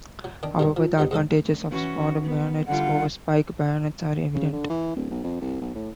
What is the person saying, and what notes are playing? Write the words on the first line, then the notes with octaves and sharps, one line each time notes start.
However, the advantages of sword bayonets over spike bayonets are evident.
F#3
D#3 D4
G2 D#3 G3
F3
F#3 G3 B3 D#4
G#2 D3 A4 D#6
E3 C#4 F#4
B3
D3 G3 F4 F#5
C#3
D3
E3
D1
B1
F2
C2
B1
A2